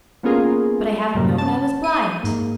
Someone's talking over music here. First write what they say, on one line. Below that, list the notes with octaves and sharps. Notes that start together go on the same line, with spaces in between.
"But I haven't known I was blind!"
A#3 B3 C#4 F4 G#4 A#4
F#2 A2 C3 G3 A#3
C#4 A5
D#7
G#2 A#3